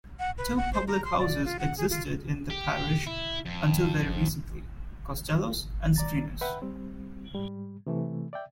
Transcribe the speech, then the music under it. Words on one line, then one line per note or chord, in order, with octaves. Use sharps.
Two public houses existed in the parish until very recently, Costellos and Screenes.
F#5
B4
F#5
C5
A#5
C6
D5
F4
F#5
G#4
F4
G4
E4
F2
D5 A#5 A6
B4 E5 F#5 G5 B5
G3 C4
G#2 G3
C3 E3 A3
D5 E5 G5